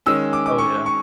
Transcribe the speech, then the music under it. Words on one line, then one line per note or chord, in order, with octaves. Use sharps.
Oh, yeah.
D#3 G#3 C#4 E6
D6
D6
C#6
C#6